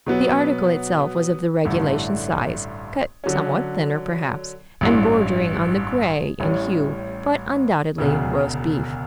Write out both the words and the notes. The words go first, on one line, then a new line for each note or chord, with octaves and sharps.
The article itself was of the regulation size, cut somewhat thinner, perhaps, and bordering on the gray in hue, but undoubtedly roast beef.
B2 F#3 B3
A1 G2 D3 A3 E4
D3 F#3 C#4
A1 G2 E3
A1 A2 G3 C#4
E1 D2 C#3